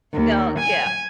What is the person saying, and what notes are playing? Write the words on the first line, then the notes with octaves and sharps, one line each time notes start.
No, yeah.
D#2
G#5